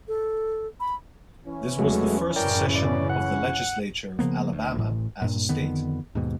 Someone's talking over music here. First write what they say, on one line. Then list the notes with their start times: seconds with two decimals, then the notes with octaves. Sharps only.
This was the first session of the Legislature of Alabama as a State.
0.08 A4
0.80 B5
1.46 E3 C#4
1.79 E2 F#3 G#3 A3
2.36 F#2 A2 C#3 A#4 D5 G5
2.76 D5
3.09 F#5
4.19 C#3 F3 A#3 B3
4.52 D2
4.75 A1 A2
5.22 G2 A#2
5.49 F2 D3 D#3 B3
6.15 D#2 G#2 B2